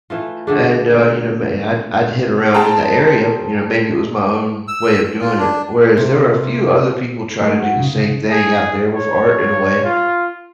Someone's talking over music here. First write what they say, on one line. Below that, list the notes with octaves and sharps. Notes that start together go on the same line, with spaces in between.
and, uh, you know, my I'd I'd hit around in the area, you know, maybe it was my own way of doing it. Whereas there were a few other people trying to do the same thing out there with art in a way,
E3 A3 F4
D3 A3 D4 G#4
G#4 C5 G5 A5 A#5
E6
F4
D4
C3
A3 A#4
F#4
C2 C#3
G#4
C#5
F4